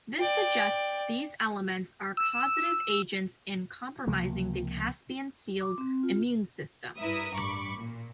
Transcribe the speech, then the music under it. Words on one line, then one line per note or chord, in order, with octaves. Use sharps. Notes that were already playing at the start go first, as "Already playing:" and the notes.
This suggests these elements are causative agents in compromising the Caspian seal's immune system.
D5 G5
E6
C#2 C3 F3 A#3
D6
C4
F4
G2 E4 A#4 B4 E5 D#6
A1 G2 B5 C#6 D6
A#2